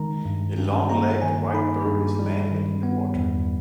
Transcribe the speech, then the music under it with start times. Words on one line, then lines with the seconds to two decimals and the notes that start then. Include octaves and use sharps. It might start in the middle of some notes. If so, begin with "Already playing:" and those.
A long legged white bird is landing in the water.
Already playing: D#3 G#3 A#5
0.25 G2
0.58 G2
0.89 A#3 A#5
1.22 D#3 G#5
1.54 D#4 B5
1.86 G2
2.19 G3
2.51 D#3
2.83 B3
3.15 E2